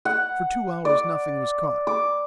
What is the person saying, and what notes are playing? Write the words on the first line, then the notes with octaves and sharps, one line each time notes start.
For two hours nothing was caught.
F#5
D5
D6